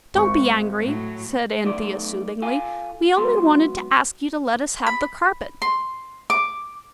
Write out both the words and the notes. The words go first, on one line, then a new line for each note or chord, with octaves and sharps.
'Don't be angry,' said Anthea, soothingly, 'we only wanted to ask you to let us have the carpet.
G#1 C#6
A2 F#3
F#3 A3 B3 D#4 A4 D5
F4 A4 F5 G#5
G#2 B2 F#3 B3 C6
B5
C6
D6